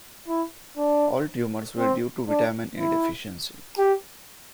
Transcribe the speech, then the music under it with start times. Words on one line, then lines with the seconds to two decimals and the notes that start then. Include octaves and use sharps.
All tumours were due to vitamin A deficiency.
0.28 E4
0.77 D4
1.78 C4
2.28 D4
2.78 E4
3.78 G4